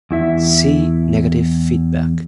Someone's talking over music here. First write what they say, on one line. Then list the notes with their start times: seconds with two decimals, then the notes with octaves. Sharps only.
See Negative feedback.
0.11 E2 E4 E5